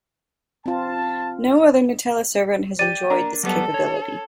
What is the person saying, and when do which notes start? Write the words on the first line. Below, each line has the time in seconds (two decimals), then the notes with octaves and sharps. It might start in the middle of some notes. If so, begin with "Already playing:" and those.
No other gnutella servant has enjoyed this capability.
0.66 C4 F4 A5
2.79 G4 D5 A6 D#7
3.10 A#3 D4 A#5
3.43 F#3 G3 B3 A4
3.74 C#5